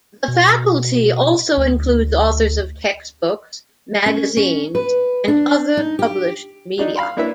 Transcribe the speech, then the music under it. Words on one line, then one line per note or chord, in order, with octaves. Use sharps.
The faculty also includes authors of textbooks, magazines, and other published media.
B2
D2
C#4
C#4
B4
D4
D#4
G4
F#3 D4 D#4
F5 B5 C6
A#3 D4 E4 B4 C#5 E5